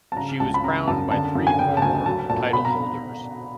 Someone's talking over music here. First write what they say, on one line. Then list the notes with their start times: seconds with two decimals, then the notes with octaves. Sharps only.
She was crowned by three former titleholders.
0.12 A5
0.16 C#3 A#5
0.40 C#2 A5
0.54 B5
0.64 C#3 A#5
0.87 F#2 A5
1.11 D3 A5
1.35 F#2
1.47 G#5
1.59 C#3 G5
1.77 A5
1.82 D2 G#5
2.06 F#3 A5
2.29 A#2 A5
2.53 B2 B5
2.65 A#5